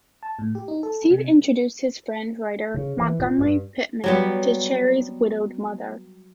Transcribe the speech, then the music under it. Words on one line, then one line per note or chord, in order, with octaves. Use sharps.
Steve introduced his friend, writer Montgomery Pittman, to Sherry's widowed mother.
A5
A2
G4
D#4
A4
C3
C#3
E3
A#2
G2
F#3 G3 B3